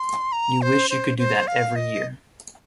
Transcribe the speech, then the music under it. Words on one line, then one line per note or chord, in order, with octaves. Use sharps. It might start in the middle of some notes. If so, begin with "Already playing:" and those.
You wish you could do that every year.
Already playing: C6
A#5
C5
C5
C5
F5
D#5